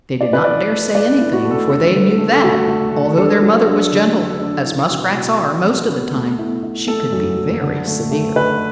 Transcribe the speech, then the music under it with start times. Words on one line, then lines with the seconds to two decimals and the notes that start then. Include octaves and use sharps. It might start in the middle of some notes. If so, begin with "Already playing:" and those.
They did not dare say anything, for they knew that, although their mother was gentle, as Muskrats are most of the time, she could be very severe.
0.21 E4 D5
0.33 B4
0.44 E4 D5
0.71 A3
0.95 A3 D5
1.20 E4
1.33 F#4
1.45 A3
1.51 A4
1.69 D4 A4
1.94 D3
2.18 A3
2.31 A4
2.43 A3 F#4
2.68 A3
2.93 A3
3.18 D4 A4
3.43 F#3
3.67 D4
3.92 D3
4.17 D4
4.41 D4
4.66 E4
4.90 B2
5.15 B2
5.40 B3
5.64 B3
5.89 B3
6.14 A3
6.39 E4
6.63 E4
6.87 A3 A4
7.12 F#2
7.37 F#2
7.61 D3
7.87 A3
8.11 A3
8.35 D3 B4